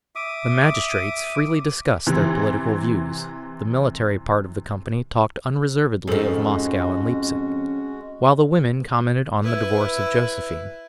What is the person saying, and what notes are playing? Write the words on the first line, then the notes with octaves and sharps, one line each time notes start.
The magistrates freely discussed their political views; the military part of the company talked unreservedly of Moscow and Leipsic, while the women commented on the divorce of Josephine.
E5 D6 D#6
C3 E3
F2 G#2 G#3 C#4 F#4 G#4 A4 C5
E4 B4